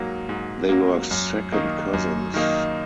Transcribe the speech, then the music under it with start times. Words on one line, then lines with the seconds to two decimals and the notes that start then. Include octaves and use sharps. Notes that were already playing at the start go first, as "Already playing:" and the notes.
They were second cousins.
Already playing: G#2 F#3 A#3
0.29 G#2
0.69 F#3 A#3
1.11 F#2
1.52 D#3 A#3 D#4
1.93 F#2
2.34 D#3 A#3 D#4